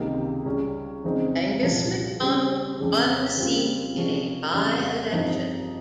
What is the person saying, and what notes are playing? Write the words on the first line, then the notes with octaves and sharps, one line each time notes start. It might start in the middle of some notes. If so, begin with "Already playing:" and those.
Angus Macdonell won the seat in a by-election.
Already playing: C#2 C3 D#3 A#3 D#4
C#2 C#3 G3 C#4
F2 C#3 G#3 C4 D#4
C2 A#2 F3 A#3
C#3 G3 C#4 G4
F2 C#3 G#3
C#3 G3 C4 F4
C3 F3 G#3 C#4 F4
F2 C#3 G3
G2 F3 C4 D#4 G4